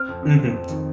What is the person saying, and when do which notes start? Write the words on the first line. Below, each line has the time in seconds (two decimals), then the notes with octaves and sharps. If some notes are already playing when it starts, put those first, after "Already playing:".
Mhm. T
Already playing: C4 F6
0.08 F2
0.23 F2
0.39 C4
0.54 F2
0.69 D#3